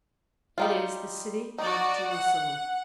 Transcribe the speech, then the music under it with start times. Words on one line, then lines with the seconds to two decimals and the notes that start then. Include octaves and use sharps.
It is the city of Jerusalem.
0.58 G3 D#4 F4
1.58 D#4 F#4 D5
2.10 F#5